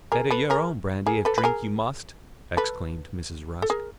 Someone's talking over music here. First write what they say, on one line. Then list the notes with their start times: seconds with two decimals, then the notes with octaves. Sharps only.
'Better your own brandy, if drink you must!' exclaimed Mrs. Rusk.
0.12 G#4 A#4
0.30 A4 B4
0.50 G#4 A#4
1.06 G#4 A#4
1.25 A4 B4
1.38 B4
1.44 G#4 A#4
2.57 A4 B4
3.62 A4
3.70 G#4 A#4